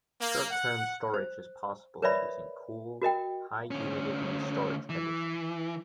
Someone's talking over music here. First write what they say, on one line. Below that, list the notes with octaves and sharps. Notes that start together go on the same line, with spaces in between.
Short-term storage is possible using cool, high-humidity storage conditions.
A#3
F#5
C5
A#4 B4 C#5 D5 E5 B5
F#4 A#4 D#5 G5
D2 C#4
E3